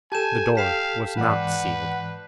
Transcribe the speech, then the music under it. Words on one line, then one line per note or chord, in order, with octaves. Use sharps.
The door was not sealed.
G4 A4 G#5 A5 G6 E7
F5 G5 B6 C7 E7
G#2 E3 B4 D5 F#5